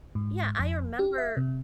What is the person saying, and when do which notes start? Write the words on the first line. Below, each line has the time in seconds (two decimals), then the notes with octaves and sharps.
Yeah. I remember
0.15 G#2
0.59 F2
0.99 G4
1.18 E5
1.37 C3